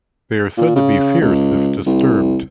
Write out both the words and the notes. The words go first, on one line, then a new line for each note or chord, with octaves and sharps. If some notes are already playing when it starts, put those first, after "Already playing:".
They are said to be fierce if disturbed.
A#2
C#3
C#2
C2